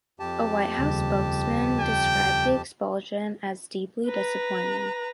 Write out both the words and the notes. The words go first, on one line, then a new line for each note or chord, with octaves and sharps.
A White House spokesman described the expulsion as "deeply disappointing".
F2 G4 A5
D#2 C#3 G3
G5
B4 A#5